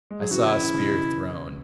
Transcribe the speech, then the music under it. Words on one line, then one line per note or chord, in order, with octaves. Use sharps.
I saw a spear thrown.
G#3
F#3 G#4
C#3 E3 F#4
C#3 E4
C#3
C#3
B2